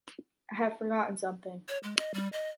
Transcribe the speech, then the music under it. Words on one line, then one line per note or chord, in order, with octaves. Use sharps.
I have forgotten something.
C#5
G#3
D#5
G3
D#5